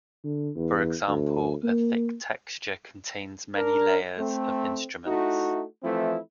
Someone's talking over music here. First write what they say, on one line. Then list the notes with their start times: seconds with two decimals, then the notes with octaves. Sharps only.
For example, a thick texture contains many "layers" of instruments.
0.24 D3
0.56 E2
1.07 D2
1.64 A#3
3.56 D4 A#4
4.18 A3 C4
5.06 A3 D#4 E4 F#4
5.83 E3 F3 A3 C4 E4